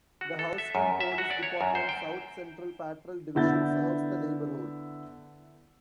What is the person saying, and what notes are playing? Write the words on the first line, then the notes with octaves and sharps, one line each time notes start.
The Houston Police Department's South Central Patrol Division serves the neighborhood.
F#4
A4
E5
F#2
E5
F#4
D5
C#5
F#2
C5
G5
D3 B3 E4 F#5 G6 A6